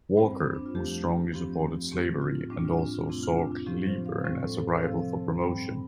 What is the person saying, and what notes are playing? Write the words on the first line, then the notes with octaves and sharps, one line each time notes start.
Walker, who strongly supported slavery and also saw Cleburne as a rival for promotion.
G2 G3 C4 C5
D4
F4
F2 F3 A3 G4
G2 F3 C4 G4
A2 A3 C4 G4
F4
A2 G3 C4 D4
F4
D4
F4
F2 C3 A3 C4 F4
F4
D4
F4
A2 F3 C4 G4
C5
F5
A2 G3 C4 C5
A4
A4
C5
C3 F3 C4 F5
A5
G2 G3 C4 G5